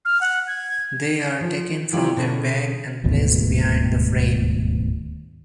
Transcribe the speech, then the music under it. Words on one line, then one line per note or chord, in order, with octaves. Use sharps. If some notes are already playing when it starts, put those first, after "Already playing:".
They are taken from their bag and placed behind the frame.
F6
F#5
G#6
F3
D#3 F#3 E4 F4 G4 D5
B2 D3 C#4 G#4
D#1 G#1 D2 B2